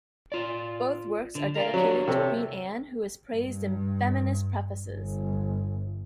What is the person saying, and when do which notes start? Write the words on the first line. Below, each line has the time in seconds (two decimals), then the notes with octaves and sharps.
Both works are dedicated to Queen Anne, who is praised in feminist prefaces.
0.32 F4 D5
1.35 D3
1.55 A#4 D5 F5
1.74 F#3 D4 F#4 G4
2.08 C3 A4 C#5
3.33 G2
4.89 G1